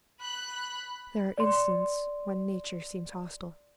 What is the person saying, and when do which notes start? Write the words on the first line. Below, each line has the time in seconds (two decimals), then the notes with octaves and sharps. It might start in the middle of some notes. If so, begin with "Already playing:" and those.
There are instants when nature seems hostile.
0.20 B5 F#6
1.38 D5 C6